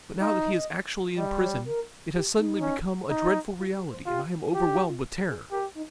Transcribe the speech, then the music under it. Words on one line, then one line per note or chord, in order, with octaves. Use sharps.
But now that he is actually in prison, it has suddenly become a dreadful reality and I am overwhelmed with terror.
D#4 F5
D#5
G3 D#5
C#5
A#4
G4
D#4
C#4
D#4
F4
G4
C5
F4 G4
F4 G4
D#4
F4
G#4
G4 A#4
D#4